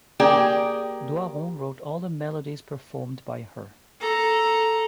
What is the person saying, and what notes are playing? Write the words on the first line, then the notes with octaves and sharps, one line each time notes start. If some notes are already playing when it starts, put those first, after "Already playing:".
Doiron wrote all the melodies performed by her.
A#3 G4 G#4 D5 G5
A4 A#5